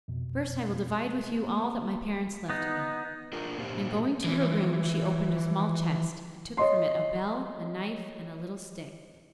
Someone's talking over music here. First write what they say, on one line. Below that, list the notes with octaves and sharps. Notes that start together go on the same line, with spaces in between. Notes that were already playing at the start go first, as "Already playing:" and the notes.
But first I will divide with you all that my parents left me,' and going to her room, she opened a small chest, and took from it a bell, a knife, and a little stick.
F2 B2
A#3
B3 D#4
D4 F4 A#4
A#2 A#3 D4 G4 C5 F5
E3 F3
C#5 D#5 C6